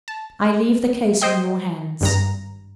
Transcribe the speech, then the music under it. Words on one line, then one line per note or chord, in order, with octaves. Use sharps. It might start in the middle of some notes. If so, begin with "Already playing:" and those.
I leave the case in your hands.
A5
C5 D#5 G5
G#1 G2 A#5